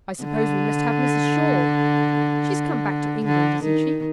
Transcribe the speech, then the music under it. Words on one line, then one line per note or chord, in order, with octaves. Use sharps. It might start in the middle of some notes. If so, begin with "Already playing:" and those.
I suppose we must have Mrs. Shaw; she's come back to England, isn't she?'
D3
D3
D#3